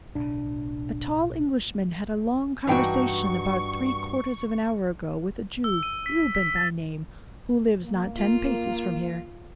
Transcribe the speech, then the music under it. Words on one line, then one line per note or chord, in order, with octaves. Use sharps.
"A tall Englishman had a long conversation about three-quarters of an hour ago with a Jew, Reuben by name, who lives not ten paces from here."
B1 A2 C#3 D4
G2 E3 D#4 F#4 G5 C#6
E6
D#7
B6
B6
A6
A#3
F4